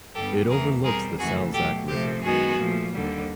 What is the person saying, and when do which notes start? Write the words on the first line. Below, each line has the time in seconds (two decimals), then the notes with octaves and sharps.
It overlooks the Salzach river.
0.14 G2 D3 G3 B3 G4 A4
0.49 E2 C3 E3 A3 G#4 A#4
0.83 B2 G3 C4 G#4 A#4
1.18 F2 C#3 E3 A3 F#4 G#4
1.52 B2 F#3 A3 G4 A4
1.87 C3 F3 A3 C4 G4
2.22 F#2 D#3 G#3 B3 F#4 G#4
2.56 A#2 F3 A3
2.91 D#2 D3 G3